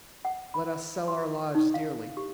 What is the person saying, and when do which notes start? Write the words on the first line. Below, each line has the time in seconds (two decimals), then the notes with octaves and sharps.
"Let us sell our lives dearly."
0.25 F#5
0.54 B5
1.08 C6
1.55 D#4
1.74 F5
2.17 G4